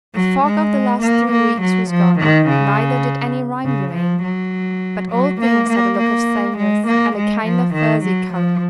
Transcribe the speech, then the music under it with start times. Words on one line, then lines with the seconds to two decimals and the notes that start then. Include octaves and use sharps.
The fog of the last three weeks was gone, neither did any rime remain; but all things had a look of sameness, and a kind of furzy colour.
0.15 F#3
0.44 G#3
1.02 A#3
1.32 A#3
1.61 F#3
1.90 F3
2.19 D#3
2.49 C#3
3.65 C#3
3.94 F3
4.23 F#3
5.11 F#3
5.41 A#3
5.69 A#3
5.99 A#3
6.57 G#3
6.87 A#3
7.16 G#3
7.45 F3
7.74 D#3
8.04 F#3
8.33 F3